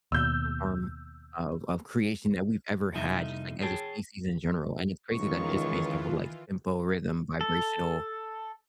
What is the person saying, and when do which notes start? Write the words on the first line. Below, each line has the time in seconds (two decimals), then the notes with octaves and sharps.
form of of creation that we've ever had, just like as a species in general, and it's crazy that it's just based off of like tempo, rhythm, vibrational,
0.12 D#2 B2 E6 G6
2.95 C2 F2 F3 D#4 E5
3.62 G#4 C#5 G5 A5
5.12 C#2 D#3 E3 F4 C#6
7.41 A4